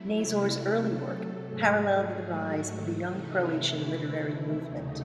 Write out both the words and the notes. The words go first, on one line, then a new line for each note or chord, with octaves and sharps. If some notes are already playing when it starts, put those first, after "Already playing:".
Nazor's early work paralleled the rise of the Young Croatian literary movement.
Already playing: C3 F#3 A3 E4
A4
G#2 F#3 A3 G#4
F#4
C3 E3 A3 D#4
E4
E4
D#2 C#3 F#3 A3 D#4